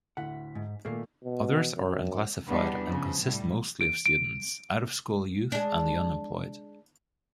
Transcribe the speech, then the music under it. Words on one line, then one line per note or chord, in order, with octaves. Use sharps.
Others are unclassified and consist mostly of students, out-of-school youth and the unemployed.
D2 A2 F#5 B6
G#2
G#1 A#2 A3 A#3 C7
B2
F#2
E2 G3 B3 D4
C#3 F3
A2 G3
D7
D7
G#3 D4